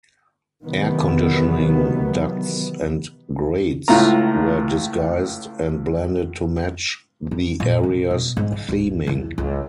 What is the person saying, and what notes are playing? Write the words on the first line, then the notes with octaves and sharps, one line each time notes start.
Air conditioning ducts and grates were disguised and blended to match the area's theming.
C3 D#3 E3 F#3 B3
C#2 A2 A3 F4 A#5
E2
A#2
C3
B2
G#2
C#3
D1
E2
C#2